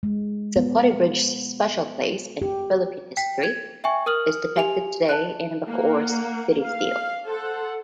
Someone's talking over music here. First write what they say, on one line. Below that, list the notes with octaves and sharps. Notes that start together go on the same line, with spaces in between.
Zapote Bridge's special place in Philippine history is depicted today in Bacoor's city seal.
G#3
B3
G4
G5 B6
G#6
E5 G5 G#5 C#6
A#4 D#6 F6 F#7
G4 G#5 F7
A5 F#6
A#3 A#4 F#5
F5
A4 C5 F#5